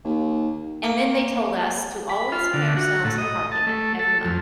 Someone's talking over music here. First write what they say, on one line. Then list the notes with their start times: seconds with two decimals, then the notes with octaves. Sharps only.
and, then, they told us to always pay ourselves a car payment every month
0.05 D#2
0.84 A#3
2.10 B5
2.32 F4
2.53 D3
2.76 F#4
3.05 A2
3.18 D#5
3.52 A5
3.67 A3
3.99 A4
4.25 F2